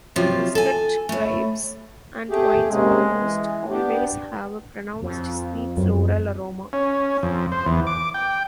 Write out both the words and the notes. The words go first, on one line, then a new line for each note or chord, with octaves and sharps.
Muscat grapes and wines almost always have a pronounced sweet floral aroma.
C3 F3 F#3 F4
A4 G#5
A2 A3
A3 G4 G#4
C3 G#3 A#3 C#4
E3
B3 D4 G4
F2
F#2
C#4
F2
C5
E2
D6
G5